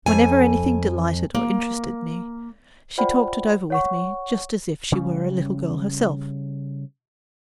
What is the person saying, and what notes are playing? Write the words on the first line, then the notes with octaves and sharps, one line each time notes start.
Whenever anything delighted or interested me she talked it over with me just as if she were a little girl herself.
F2 G#5
A#3
F4 C5 D5 F#5 G5 B5
C#5 F#5 C#6
C#3 G3 C#4